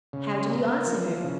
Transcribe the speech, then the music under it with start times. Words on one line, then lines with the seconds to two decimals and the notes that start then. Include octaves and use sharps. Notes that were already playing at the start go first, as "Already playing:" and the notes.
How did he answer her?
0.13 C#3
0.50 A#3
0.87 F3
1.24 C#3